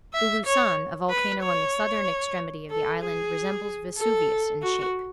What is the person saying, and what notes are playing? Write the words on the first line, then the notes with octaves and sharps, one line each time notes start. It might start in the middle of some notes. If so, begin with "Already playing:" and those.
Bulusan, a volcano on the southern extremity of the island, resembles Vesuvius in shape.
E5
C#5
B4
C#5
A4
G#4
A4
F#4